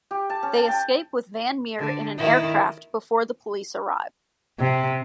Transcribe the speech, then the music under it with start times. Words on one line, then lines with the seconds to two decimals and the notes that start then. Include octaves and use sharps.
They escape with Van Meer in an aircraft before the police arrive.
0.11 G4
0.30 A5
0.43 C#4
0.56 A5
0.68 G5
1.79 D3
2.18 D#3 E4
4.60 C3